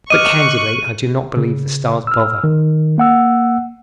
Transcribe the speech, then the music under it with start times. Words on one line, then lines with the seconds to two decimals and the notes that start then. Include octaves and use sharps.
But, candidly, I do not believe the stars bother.
0.10 D#5 C#6 D6 F6 F#6 D#7
1.37 C#3
2.07 E6 F6
2.44 D#3
2.98 A#3 F#5 E6